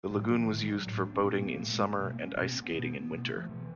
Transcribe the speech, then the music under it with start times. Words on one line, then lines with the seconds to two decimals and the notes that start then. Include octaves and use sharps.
The lagoon was used for boating in summer and ice skating in winter.
0.10 A2 G3
0.20 F#3
0.30 F3
0.39 E3
0.48 A2 D#3
0.58 G#3
0.67 G3
0.76 F#3
0.87 A2
0.96 A3
1.05 D4
1.14 C#4
1.24 A#2 C4
1.37 A#3
1.49 A#3
1.61 A#2 A3
1.70 G#3
1.80 G3
1.99 B2 A3
2.11 A#3
2.23 C#4
2.36 B2 C4
2.49 B3
2.58 C4
2.62 B3
2.74 B2 B3
2.93 B3
3.12 B2 A#3
3.25 A3
3.36 F3
3.49 B2 E3